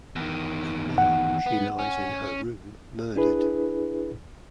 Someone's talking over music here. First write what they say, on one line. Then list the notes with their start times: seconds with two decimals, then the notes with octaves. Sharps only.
And now she lies in her room murdered!
0.16 E2 D#3
0.98 F#5
1.46 B3
1.79 C#4
3.16 D4 E4 G#4 B4